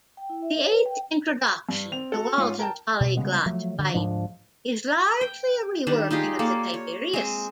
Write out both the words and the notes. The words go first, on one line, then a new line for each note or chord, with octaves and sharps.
The eighth introduction to Walton's Polyglot Bible is largely a reworking of the "Tiberias".
G5
E4
E5
C#5
B4
G5
G2
C4 F7
F#4 A4
G#2 C#4 F4 C#6
A#4 G5 A5
B2
C#3 G3 G#3 B3
F3 F#3 A3
G2 D3
D2 G#2 F3 D4
G5
D#3 G3 D4
D#4 F4 G4 G#4
A#3 A4 C#5 D5
C#5
G#3 C4